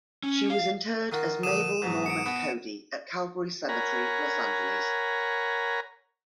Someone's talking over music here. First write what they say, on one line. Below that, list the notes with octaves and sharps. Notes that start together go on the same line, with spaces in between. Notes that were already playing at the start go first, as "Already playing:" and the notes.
She was interred as Mabel Normand-Cody at Calvary Cemetery, Los Angeles.
C#4
F5
D#3 F4 F#4
A#1 D3 D#6 D#7 E7
G#2 B2 F#3
C#7 D7
B2 B3 B5
A#4 C#5 F#5 G#5 A#5 B5